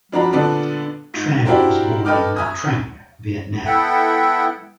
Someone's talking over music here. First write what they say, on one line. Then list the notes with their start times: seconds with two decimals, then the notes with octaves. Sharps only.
Tran was born in Nha Trang, Vietnam.
0.12 F2 D4 F#4 A#5 B5
0.32 A#2 D3 B3 D4 A4
1.14 G#2
1.45 D4 E4 F#4 G4 A#4 C5
2.05 A4 B4 D#5 G5 D6 F6
2.37 E5 G#5 D#6
3.64 B3 E4 A4 E5 F#5 G5